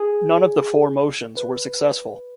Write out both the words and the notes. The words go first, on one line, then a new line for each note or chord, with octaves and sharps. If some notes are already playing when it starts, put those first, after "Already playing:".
None of the four motions were successful.
Already playing: G#4
B4